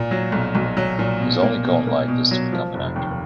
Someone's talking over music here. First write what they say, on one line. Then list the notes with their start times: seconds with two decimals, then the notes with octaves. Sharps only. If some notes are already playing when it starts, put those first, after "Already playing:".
His only goal in life is to become an actor.
Already playing: A#2
0.11 F#3
0.32 B1
0.55 B1
0.77 F#3
0.99 A#2
1.21 B2
1.43 A#3
1.65 B2
1.87 A#3
2.08 B2
2.31 F#3
2.52 F3
2.74 F1
2.96 D#2